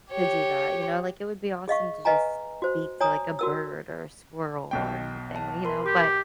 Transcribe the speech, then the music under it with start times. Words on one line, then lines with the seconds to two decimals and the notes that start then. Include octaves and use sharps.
to do that, you know, like it would be awesome to just speak to like a bird or a squirrel or anything, you know? But
0.12 G4 C#5
1.68 G#4 D#5 F5 C#6
2.05 B4 D#5 F5 G#5 A#5
2.62 F#4 C5
3.01 C#5 G#5 A#5 D#6
3.39 F#4 A#4 E6
4.71 B1 B2 G5
5.36 A5
5.65 A#4 B5 C6
5.86 G4 D6